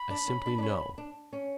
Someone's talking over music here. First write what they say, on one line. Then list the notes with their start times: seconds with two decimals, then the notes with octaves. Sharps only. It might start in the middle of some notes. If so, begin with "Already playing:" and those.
I simply know.
Already playing: B5
0.10 D4
0.28 C#4
0.46 D4
0.58 D4
0.63 C#4
0.98 D4
1.33 C#4